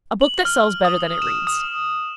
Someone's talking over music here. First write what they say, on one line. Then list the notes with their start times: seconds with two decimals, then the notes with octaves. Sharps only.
A book that sells better than it reads.
0.21 F#7
0.45 F6
0.85 D#6
1.22 E7
1.47 D#6